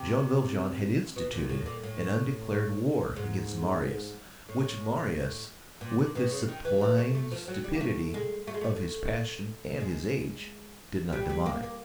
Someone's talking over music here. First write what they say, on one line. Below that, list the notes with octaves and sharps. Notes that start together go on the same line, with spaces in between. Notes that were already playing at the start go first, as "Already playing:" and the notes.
Jean Valjean had instituted an undeclared war against Marius, which Marius, with the sublime stupidity of his passion and his age, did not divine.
Already playing: C3
B2
A#2
A2
A#2
A2
G#2
A2
A#2
A#2
B2
C#3
D#3
E3
E3
A3
A3
F3
F#3
G3
A#3
A3
G#3
A3
G#3
A3
G#3
G3
G3
A#3
A#3